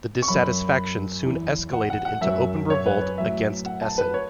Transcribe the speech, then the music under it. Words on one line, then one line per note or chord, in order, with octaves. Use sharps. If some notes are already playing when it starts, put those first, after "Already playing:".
This dissatisfaction soon escalated into open revolt against Esen.
C#6
F#2 F#3 B5
E2 E3
F#5
F#5
F#5
F#2 F#3 E5
C#5
B4
C#5
A2 F#3 E5
F#5
A5
B4
C#5